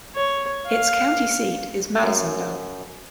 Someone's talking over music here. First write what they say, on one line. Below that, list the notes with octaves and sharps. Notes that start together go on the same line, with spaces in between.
Its county seat is Madisonville.
C#5
F5
F#2